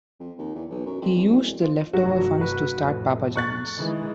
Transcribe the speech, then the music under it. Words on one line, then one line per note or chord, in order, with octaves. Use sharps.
He used the leftover funds to start Papa John's.
F2
D#2
E2
B1
F#2
F2
E2
E1
E1
F3
F1 G2 F#3 F#4
F#4 B4
F2 A2
C#6 F#6 A6
D#3 E3 G#3